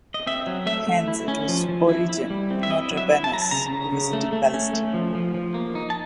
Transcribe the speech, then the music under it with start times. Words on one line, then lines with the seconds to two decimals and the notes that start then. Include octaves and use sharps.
Hence, it was Origen, not Rabanus, who visited Palestine.
0.14 D#5
0.27 C4 E5
0.47 F#3
0.66 A3 E5
0.87 A3
1.08 E4
1.28 C#4
1.49 F3
1.69 F3
1.89 E4
2.09 E4
2.30 G3
2.51 C4
2.63 E5
2.70 E4 D#5
2.91 F#3
2.97 E5
3.10 E4
3.24 A5
3.31 F#3 A#5
3.42 A5
3.51 C#3 A#5
3.71 C#3
3.92 C#3
4.13 A3
4.33 A3
4.54 C#4
4.73 A3
4.94 F3
5.15 F3
5.34 F3
5.54 A#3
5.75 D#4
5.90 A5